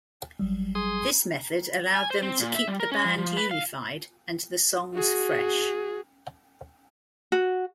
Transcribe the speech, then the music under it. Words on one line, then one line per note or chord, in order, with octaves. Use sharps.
This method allowed them to keep the band unified and the songs fresh.
G#1 F#3 G3
G#4 C6 D#6
G#5
C5
C4
A#2
E5
G3
A#4
C#4
F3
F3
B4
F5
F#4 G#4
F#4